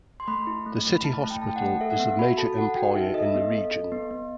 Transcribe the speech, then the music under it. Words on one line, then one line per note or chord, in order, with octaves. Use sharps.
The city hospital is the major employer in the region.
C6
A3 B5
E4
A3
A3
B5
E4 A5
A3
G5
A3 A5
G5
F#5
A3
A4 E5
F#5
B3 E5
F#4 B5
B5
A4 A5
A4 F#5
F#4 G5
D#4 E5
A4 D#5
E5
B3 D#5
A4
A4
B3
B3